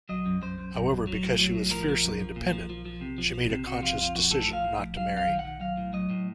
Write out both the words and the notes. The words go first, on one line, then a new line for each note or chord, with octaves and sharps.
However, because she was fiercely independent, she made a conscious decision not to marry.
F#3 D#5
F#2
F#2 C5
F#2
F#2
F#2
F#3
A2
F#3
A2
F3 A#4
F3
F#2
F3
A#2
F3
F3
F3
C3
F3
F3
C3
C3 F#4
F3 F4
F2 F4
F3 F#4
A2 A4
F3
F5
A2
F3
F#3 F5
F2
F5
D#3
F#5
D#3
F#3 F5
A2
F#3 D#5
A2